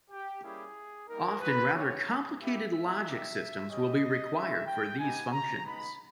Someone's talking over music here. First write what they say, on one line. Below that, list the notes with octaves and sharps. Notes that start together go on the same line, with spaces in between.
Often rather complicated logic systems will be required for these functions.
G4
G3 A#3 C#4 E4 G4 G#4
G3 A#3 D#4 A#4
B4
B3 G4 C#5
A#3 E4 G4 E5
E5
G3 A#3 D#4 G4
G3 C#4 G4 D#5
G#3 C#4 E4 E5
G5
B3 D#4 G4 G#5
A#5
G#3 B3 D#4 B5